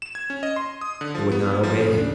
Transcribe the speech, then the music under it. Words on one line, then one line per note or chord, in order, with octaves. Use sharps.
It would not obey him.
E7
G#6
C#4
D#5
C6
D#6
D3
F3
B3
F3
C#3
D4